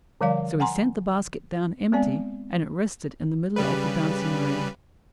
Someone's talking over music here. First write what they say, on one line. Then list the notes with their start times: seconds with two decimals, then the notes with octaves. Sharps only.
So he sent the basket down empty, and it rested in the middle of the dancing ring.
0.21 D3 F3 G3 D5 F5
0.60 F#5 G#5 A#5 C6
1.92 G#3 B3 C4 D5 G#5
3.56 C#3 G3 B4